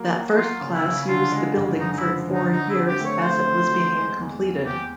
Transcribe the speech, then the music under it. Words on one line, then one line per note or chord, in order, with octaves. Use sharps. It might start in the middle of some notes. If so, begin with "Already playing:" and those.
That first class used the building for four years as it was being completed.
Already playing: F#3 A#3
F#3
F#3 F4
C#3
E4
C#3
D3 F4
G#3
F#2
D3 D#4
D#4
E4
F3
D3
D#4
F#3 D#4
E4
C4
G4
A3
C#5
A3 C5
C4
F#3
G#3
E2
E2
E2 G4